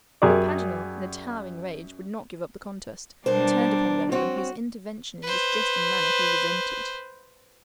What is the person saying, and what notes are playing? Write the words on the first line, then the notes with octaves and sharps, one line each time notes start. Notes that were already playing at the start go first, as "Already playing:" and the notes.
But Paganel, in a towering rage, would not give up the contest, and turned upon Glenarvan, whose intervention in this jesting manner he resented.
F#2 G4 G#4 A#4 D5
B2 G3 D4 A#4 C5
C4 F#4 C#5
B4 C5